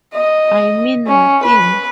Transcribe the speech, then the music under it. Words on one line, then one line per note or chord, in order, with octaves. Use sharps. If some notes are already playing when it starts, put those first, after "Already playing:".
I mean nothing.
D#5
C#4
B4